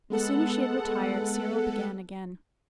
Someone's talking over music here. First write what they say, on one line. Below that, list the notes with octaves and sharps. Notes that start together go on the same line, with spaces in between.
As soon as she had retired, Cyril began again.
G#3 B3 A4 F#5